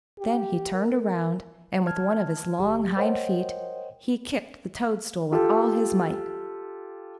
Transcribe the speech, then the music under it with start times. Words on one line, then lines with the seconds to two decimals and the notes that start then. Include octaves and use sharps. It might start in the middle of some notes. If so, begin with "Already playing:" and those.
Then he turned around, and with one of his long hind-feet, he kicked the toadstool with all his might.
0.19 G4
0.74 A#4
1.87 A5 F6 G#6
2.59 G1 G4
2.97 A#4 C5 C#5 D#5 F#5 G5
5.32 F4 G4 A4